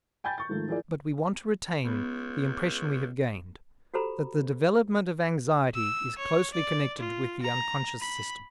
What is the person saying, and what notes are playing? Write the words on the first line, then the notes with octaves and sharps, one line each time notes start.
But we want to retain the impression we have gained, that the development of anxiety is closely connected with the unconscious system.
G5 G#5 B5 G6 A6
C#6 A6
G#2 D#3 F3 A3
E3 F3 E4 G#4 A#4 D5
C#2 B3
F#4 G4 A4 C5 A#5 B5
E6
C#5
D5
F4
A#5
B5